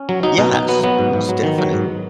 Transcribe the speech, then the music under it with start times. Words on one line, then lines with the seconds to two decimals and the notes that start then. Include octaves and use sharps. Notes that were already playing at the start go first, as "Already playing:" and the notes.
Yes, most definitely.
Already playing: C#4
0.09 F#3
0.23 F#3 D#4
0.38 B2 D#4
0.54 B2 D#4
0.68 F#3 B3
0.83 F#3 B3
0.98 G#2
1.13 G#2
1.29 F#3
1.43 D#3
1.58 F#3
1.73 G#2